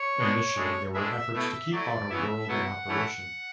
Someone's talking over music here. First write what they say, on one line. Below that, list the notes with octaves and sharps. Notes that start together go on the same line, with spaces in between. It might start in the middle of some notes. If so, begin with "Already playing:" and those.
Initially, there were efforts to keep AutoWorld in operation.
Already playing: C#5
B2 G#3 D4
A2 G#3 D4
A2 G#3 D4 E5
B2 A3 E4 E5
F#3 A3 E4 D5
C#3 E3 B3 E4 E5
B2 F#3 B3 E4 F#5
E3 A3 C#4 E4